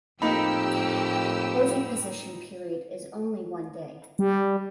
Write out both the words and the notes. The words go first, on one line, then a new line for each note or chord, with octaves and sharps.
Oviposition period is only one day.
F2 A2 A#3 D#4 G4 B5 E6
G3